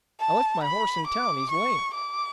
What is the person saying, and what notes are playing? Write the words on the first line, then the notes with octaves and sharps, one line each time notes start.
"I left my horse in town--he's lame."
A5
B5
D6
C#6
D6